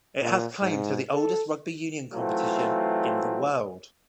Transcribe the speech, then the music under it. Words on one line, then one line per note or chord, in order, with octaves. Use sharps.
It has claim to the oldest rugby union competition in the world.
A#2
G#2
A4
E3 F#3 A3 C4 F4